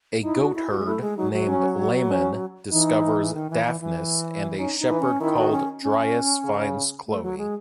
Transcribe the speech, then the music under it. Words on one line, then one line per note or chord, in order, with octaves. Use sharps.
A goatherd named Lamon discovers Daphnis, and a shepherd called Dryas finds Chloe.
D#4 E4
F#4
E4
F#4
G#3
A3 E4
G#3
F#3 D#4
F#3
C#4
C#4
E3 D#4
D#3
E3
E3
E3
C#4 D#4
D#4
E3
C#4
D#3 E4
F#4
C#4
C#4
C#3
A3
F#3
G#3